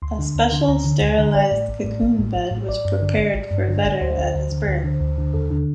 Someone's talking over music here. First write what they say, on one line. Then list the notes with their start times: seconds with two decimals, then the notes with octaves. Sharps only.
A special sterilized cocoon bed was prepared for Vetter at his birth.
0.02 D2 C6
0.19 D3
0.35 D2
0.52 D3
0.68 D2 A#5
0.84 D3
1.01 D2
1.18 D3
1.34 A1 D5
1.52 A2
1.68 A1
1.84 A2
2.02 A1
2.19 A2
2.35 A1
2.51 A2
2.68 A1 D5
2.85 G2
3.01 D3
3.17 A1
3.35 A1
3.51 G2
3.68 D3
3.85 A1
4.01 D2 C5
4.17 D3
4.35 D2
4.51 D3
4.67 D2
4.84 D3
5.00 D2
5.18 D3
5.34 D#2 A4
5.50 D3